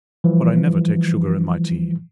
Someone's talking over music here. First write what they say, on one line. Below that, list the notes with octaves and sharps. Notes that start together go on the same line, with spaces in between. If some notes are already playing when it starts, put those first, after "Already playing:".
"But I never take sugar in my tea."
E3 F3 G3